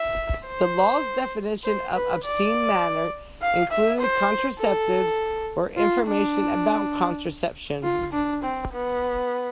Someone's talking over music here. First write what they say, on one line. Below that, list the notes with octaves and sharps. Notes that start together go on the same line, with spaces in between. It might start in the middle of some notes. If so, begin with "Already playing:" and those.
The law's definition of obscene matter included contraceptives or information about contraception.
Already playing: E5
C5
C5
B4
D5
F5
E5
C5
A4
F4
D4
F4
D4
C4
B3